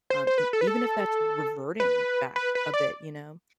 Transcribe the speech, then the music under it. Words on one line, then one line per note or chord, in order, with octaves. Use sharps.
um, n even if that's reverting back a bit, you know?
C5
C5
B4
A4
B4
A4
B4
B4
B4
D5